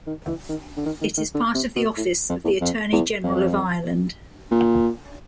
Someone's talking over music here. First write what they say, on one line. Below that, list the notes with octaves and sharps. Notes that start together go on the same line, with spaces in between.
It is part of the office of the Attorney General of Ireland.
D#3
E3
D#3
D3
D#3
D#3
D#3
D3
C3
B2
A2
F2
E2
F2
E2
F2
A#2